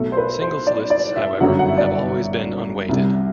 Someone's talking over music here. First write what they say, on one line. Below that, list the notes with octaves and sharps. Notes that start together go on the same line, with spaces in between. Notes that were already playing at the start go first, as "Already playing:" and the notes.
Singles lists, however, have always been unweighted.
Already playing: B1 B2 A3 A4
C5
B4
C5
D5
D5
E5
G1 F#2 D3 F#3 F#5
F#5
E5
D5
C2 C3 G3